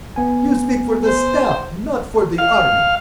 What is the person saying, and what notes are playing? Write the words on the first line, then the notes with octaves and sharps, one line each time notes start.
"You speak for the Staff--not for the Army!"
B3 G#5
C5
F5